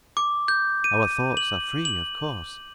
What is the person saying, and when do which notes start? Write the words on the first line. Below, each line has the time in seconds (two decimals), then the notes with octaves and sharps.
'Our thoughts are free, of course.
0.17 D6
0.48 G6
0.84 D#7
1.37 F#7
1.85 F#7